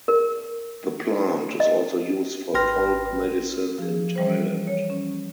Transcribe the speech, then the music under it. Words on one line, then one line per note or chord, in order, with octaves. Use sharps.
The plant is also used for folk medicine in Thailand.
A#4
D#5
G#1 B4 G5 C6 F6 A#6
F3 G#4
E3 G3 C5
C#5
C#4